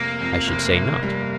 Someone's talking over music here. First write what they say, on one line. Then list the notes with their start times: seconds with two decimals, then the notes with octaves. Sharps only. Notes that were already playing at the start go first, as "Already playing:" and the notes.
I should say not.
Already playing: F1 A#3
0.20 F2
0.47 F1
0.75 C3
1.03 G3